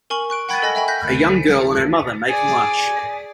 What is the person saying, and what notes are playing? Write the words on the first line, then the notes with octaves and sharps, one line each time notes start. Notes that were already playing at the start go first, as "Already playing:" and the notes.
A young girl and her mother making lunch.
A#4 G#5 C#6 F#7
C#6 F#6 D7
F#5 G5 B5 G#6
A4 D#5 G#5 B5 A#6
D#5 E5 G5 G#5 B5
F#6 G6 A#6 B6
G#4 D5